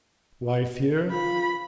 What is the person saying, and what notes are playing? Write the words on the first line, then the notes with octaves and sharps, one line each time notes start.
"Wife here?"
F4 B5